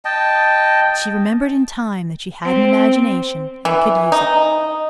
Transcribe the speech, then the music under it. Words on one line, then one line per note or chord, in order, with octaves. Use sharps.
But she remembered in time that she had an imagination and could use it.
D#5 G5 A5
C4
E3
D#4